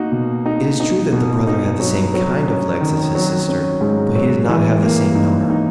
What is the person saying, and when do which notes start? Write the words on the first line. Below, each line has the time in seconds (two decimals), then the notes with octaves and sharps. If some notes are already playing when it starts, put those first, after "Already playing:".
It is true that the brother had the same kind of legs as his sister, but he did not have the same number.
Already playing: A#3 D#4 F#4
0.12 B2
0.46 D#4
0.80 D#4
1.13 B2
1.47 D#4
1.80 F#3
2.14 F#3
2.48 C#4
2.81 D#3
3.15 F#3
3.48 C#4
3.81 G#2
4.16 F#3
4.48 E3
4.82 A#3
5.15 D#4
5.50 D#4